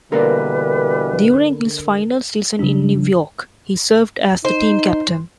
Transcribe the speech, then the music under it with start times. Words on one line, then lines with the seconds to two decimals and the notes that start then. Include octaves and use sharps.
During his final season in New York, he served as the team captain.
0.12 B2 D3 E3 G3 A#3 D4 A#4 B4
2.59 C#3 F#3 G3 D4
4.45 D#4 C5